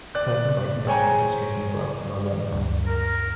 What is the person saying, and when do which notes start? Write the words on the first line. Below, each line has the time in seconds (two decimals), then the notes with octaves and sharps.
A person biking down a city street in gloves and a warm hat.
0.15 D5 F#6
0.87 G#4 C5 C#5 G5 G#5 A#5
2.52 D2 G2
2.87 A#4